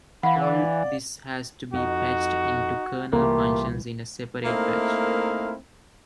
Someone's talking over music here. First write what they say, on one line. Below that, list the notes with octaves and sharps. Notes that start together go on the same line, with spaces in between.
All this has to be patched into kernel functions in a separate patch.
E3 F5 F#5 B5
D5
F2 D#4 F#4
C2 E3 A3 A#3 F4 G4
A3 A#3 C4 D#4 E4 A#4